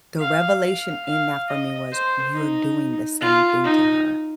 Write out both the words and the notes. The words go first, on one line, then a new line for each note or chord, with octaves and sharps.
The revelation in that for me was, "You're doing the same thing to her
F5
F5
F5
D#5
C5
D#4
F4
D#4